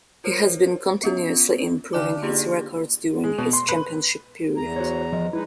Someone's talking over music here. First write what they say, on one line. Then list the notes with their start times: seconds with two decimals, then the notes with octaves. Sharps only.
He has been continuously improving his records during his championship period.
0.24 F4 A#4 C5 C#5
1.03 B3 C#4 F4
1.93 D3 D4 D#4 D5 A5 D6
2.22 A#3 D4 F4 G4 G#4
3.24 G#3
3.38 B2
3.53 C6
3.69 B4
4.57 E2 A#5
4.76 F#4 C5 C#5
5.12 F3 D#5
5.33 G#3 D#4 E4 B4